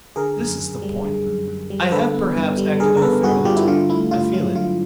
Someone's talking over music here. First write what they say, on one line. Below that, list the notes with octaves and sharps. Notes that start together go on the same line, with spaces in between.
This is the point: I have perhaps acted unfairly to you; I feel it.
D3 G#4 A#4
F#2
F#2
G3
D3
F#2
F#2
G3
C5
D3 A4 B4
B3
G2
G3
D3 G#4 A#4
A#4
B3 A4 B4
G2 F#4 G#4
G3 F4 G4
E4
D3 F4
A3 E4
G2 F4
F#3 F4
D3 F4